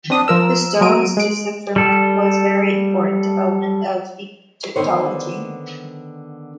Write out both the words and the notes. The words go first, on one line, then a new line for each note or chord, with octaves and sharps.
The Stone's decipherment was a very important development of Egyptology.
C4 D4 D#6
F3 A#4 E6
F#3 A#3 A#4 D7 D#7
G#3 D7
G3 A4
D3 D#3 B3 C5 C#5